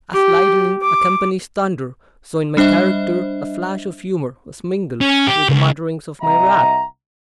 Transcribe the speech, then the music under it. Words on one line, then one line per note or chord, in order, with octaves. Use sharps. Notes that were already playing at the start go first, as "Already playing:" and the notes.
As lightning accompanies thunder, so in my character a flash of humour was mingled with the mutterings of my wrath.
G4
D6
G3 D4 C5 D#5 E5
C#4
G4
C#2
C2 D#5 E5 F#5 A#5